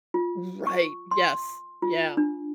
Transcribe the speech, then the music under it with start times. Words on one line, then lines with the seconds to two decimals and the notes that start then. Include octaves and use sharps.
Right, yes, yeah.
0.14 F4
0.67 C#6
1.11 C6
1.82 F4
2.17 D4